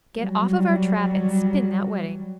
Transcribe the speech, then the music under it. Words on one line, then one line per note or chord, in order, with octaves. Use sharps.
"Get off of our trap and spin that wedding."
F#3 G3